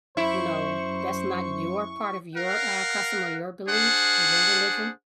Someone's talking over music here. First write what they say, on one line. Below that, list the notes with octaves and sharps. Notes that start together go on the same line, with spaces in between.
you know, that's not your part of your, uh, custom or your belief or your religion,
F#2 E4 C5 C#6
A#4 F5 F#5
D4 G#4 C5 F#5